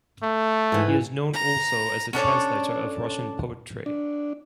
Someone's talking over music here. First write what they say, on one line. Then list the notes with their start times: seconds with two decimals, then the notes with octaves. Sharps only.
He is known also as a translator of Russian poetry.
0.23 A3
0.72 G#2 E3
1.33 A#5
2.13 C#4 D4 A4 C#5
3.86 D4